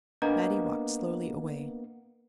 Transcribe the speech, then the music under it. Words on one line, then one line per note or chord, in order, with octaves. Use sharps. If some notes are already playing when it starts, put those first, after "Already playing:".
Mattie walked slowly away.
A#3 B3 D4 D#5 A#5